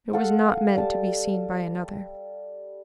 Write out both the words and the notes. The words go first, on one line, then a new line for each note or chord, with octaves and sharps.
It was not meant to be seen by another.
A4 F5 F#5
G3 A5